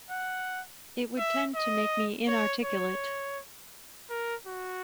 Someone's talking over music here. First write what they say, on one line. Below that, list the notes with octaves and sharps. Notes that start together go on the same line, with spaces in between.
It would tend to make me inarticulate.
F#5
E5
D#5
C#5
C#5
A#4
F#4